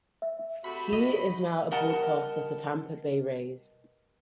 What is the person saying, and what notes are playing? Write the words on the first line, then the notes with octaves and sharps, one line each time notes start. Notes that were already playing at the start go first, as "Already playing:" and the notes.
He is now a broadcaster for the Tampa Bay Rays.
E5
C3 A3 F#4 B5
D#5
B2 G3 A#4 D#5 F#5 A5